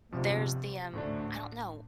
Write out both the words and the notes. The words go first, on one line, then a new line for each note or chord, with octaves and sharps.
there's the, um, I don't know.
G1 G2 C3 F3
D2 A2 D3 A3 D4